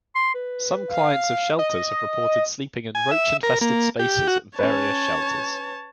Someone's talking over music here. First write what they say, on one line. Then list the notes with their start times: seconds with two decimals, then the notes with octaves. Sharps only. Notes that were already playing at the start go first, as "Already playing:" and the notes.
Some clients of shelters have reported sleeping in roach-infested spaces at various shelters.
0.16 C6
0.35 B4
0.91 F5
1.59 D#5
2.95 G#5
3.11 E5
3.43 A#4
3.61 A#3
3.99 G4
4.27 F#4
4.59 C#4 B4 C#5 A5